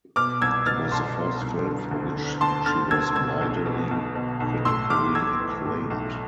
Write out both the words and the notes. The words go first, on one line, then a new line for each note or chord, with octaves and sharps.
It was the first film for which she was widely critically acclaimed.
B2 D6 F6
C2 E6 G#6
B2 F6 A6
C2 A5 C6
B2
C2
D3
D2
D3
D2 A5 C6
D3 F6 A6
D2 E6 G#6
B2 E6 G#6
B1
B2
B1
B2
B1
A2 C6 E6
B1 D6 F6
B1 E6 G#6
E3
A2
B1